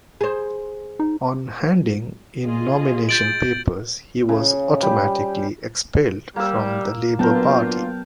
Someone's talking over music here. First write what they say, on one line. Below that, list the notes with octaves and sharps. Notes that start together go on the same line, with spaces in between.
On handing in nomination papers he was automatically expelled from the Labour Party.
G#4 C5
D#4
F4 G#4 D#5
G6 A6 D7 F#7
C#3
G3
G3 A#3 E6
F#3 A#3 B3 D4 F4 A#4 G5 A5